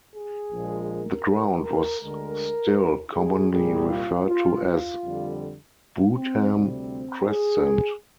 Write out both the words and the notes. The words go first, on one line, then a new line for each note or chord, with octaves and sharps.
The ground was still commonly referred to as Bootham Crescent.
G#4
A#1 A#2 F3 G#3
A#4
A#4
D2 D3 G#3 A#4
G#4
C2 A#2 G3 G#4
F4
F4
F4
F2 D3 G3
C4
D2 C3 G3 C4
G#4